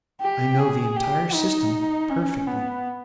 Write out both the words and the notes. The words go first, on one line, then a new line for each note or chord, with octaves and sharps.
I know the entire system perfectly.
G4
G#4
G4
D#4
C#4
B3